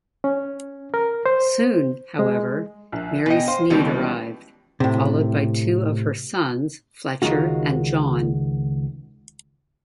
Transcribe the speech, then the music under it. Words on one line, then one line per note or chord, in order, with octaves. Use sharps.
Soon, however, Mary Snead arrived, followed by two of her sons, Fletcher and John.
C#4
A#4
C5
G#3
A#1
B2 D#5 G5 G#5
C5 F5
C#2 B2 D#3 E3 F#3 G3
A2 C3
C#2 B2 D#3 G#3 F4 F#4